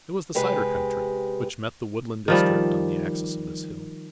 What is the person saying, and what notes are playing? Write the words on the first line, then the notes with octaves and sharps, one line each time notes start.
It was the cider country, which met the woodland district on the axis of this hill.
C3 G#3 G4 B4
D#3 F3 G3